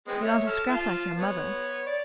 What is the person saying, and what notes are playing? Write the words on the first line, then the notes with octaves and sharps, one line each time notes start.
You aren't a scrap like your mother.
G#3 B3 C4
C#5 E5
A4 E6 F6
F4 A5
B3 C#5
D5